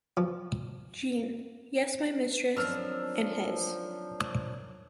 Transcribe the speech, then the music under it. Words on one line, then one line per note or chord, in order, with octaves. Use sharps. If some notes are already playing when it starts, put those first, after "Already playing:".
Jean. — Yes, my mistress... and his.
F3
D#3 F3 F#3 C4 D4 E6 F6